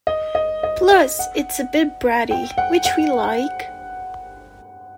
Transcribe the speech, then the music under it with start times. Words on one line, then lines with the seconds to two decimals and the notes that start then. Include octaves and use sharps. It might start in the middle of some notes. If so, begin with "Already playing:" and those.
Plus it's a bit bratty, which we like!
0.07 D#5
0.35 D#5
0.63 D#5
0.91 D#5
1.19 F#5
2.31 G5
2.58 F#5
2.85 F#5